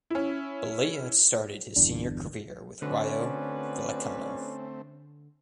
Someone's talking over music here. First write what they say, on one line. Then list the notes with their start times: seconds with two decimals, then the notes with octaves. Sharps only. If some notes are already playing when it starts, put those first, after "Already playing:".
Balea started his senior career with Rayo Vallecano.
0.10 C#4 E4
1.76 G1 E2 D4
2.82 D3 A3 C4 C#4 F#4 B4 D5